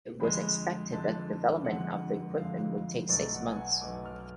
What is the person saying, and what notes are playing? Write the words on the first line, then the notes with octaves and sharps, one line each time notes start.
It was expected that development of the equipment would take six months.
F2 D3 G#3 B5
F2 D3 G#3 A5
F2 D3 G#3 F#5
F2 D3 G#3 F5
B1 B2 F#3 A3 D5
F#5
G#5
F#5
B1 B2 F#3 A3 D6
F6